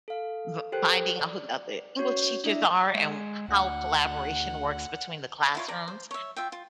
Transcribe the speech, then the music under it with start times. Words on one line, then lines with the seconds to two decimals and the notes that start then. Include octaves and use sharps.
v finding out who the other English teachers are and how collaboration works between the classrooms.
0.08 A4 F5
0.72 G4 A4 A#4 C5 G5 F#6
1.19 D5
1.99 C#4 F#4 C#5 C#6 G#6
2.44 D4 E4 D5 E5
2.95 G#3
3.48 D2 F#5
5.55 E4 F4 C#5
5.68 D5 A#5
5.88 C5
6.11 C#5 E5
6.36 F4 E5 G5
6.52 F4